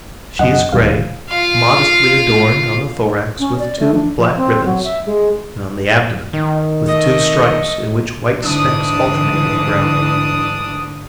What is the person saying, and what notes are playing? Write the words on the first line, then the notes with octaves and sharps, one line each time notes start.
She is grey, modestly adorned on the thorax with two black ribbons and on the abdomen with two stripes in which white specks alternate with brown.
F#2 C#3 D#5 F#5
D#1 D2 E3 G3 F5
F4 F5
C#4
D5
A3
D4
F3
C4
F#3
E5
G#3
D#3
A3 D#5
G#2 D3 E3 D4 D#6